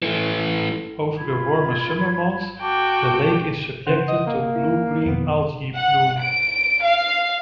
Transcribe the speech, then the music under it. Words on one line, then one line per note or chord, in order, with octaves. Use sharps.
Over the warmer summer months the lake is subject to blue green algae bloom.
E3 A3
F4 B5 G#6
F#4 G5 A5 D6
C#3 C5 F#5
D#5
A#3
E4
F2 B2 B3
F#5
D7
F5